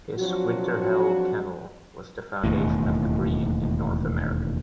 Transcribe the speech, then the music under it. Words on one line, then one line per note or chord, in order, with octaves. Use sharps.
His Winterhelle Kennel was the foundation of the breed in North America.
F3 F#3 C4 D4 F4 F#4
E1 D#2 A2